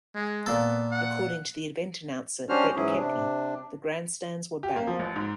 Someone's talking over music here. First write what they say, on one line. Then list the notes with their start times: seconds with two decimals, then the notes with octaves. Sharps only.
According to the event announcer Bret Kepner, the grandstands were barren.
0.15 G#3
0.46 A#2 B3 A4
0.91 F#5
2.49 G3 C#4 D4 F#4 C5 F6
2.76 G#2 E3 F#3 C#4 E4 G#4
2.96 C3 D4
4.63 G4
4.76 A#3
4.87 F3
4.99 A1
5.16 G#2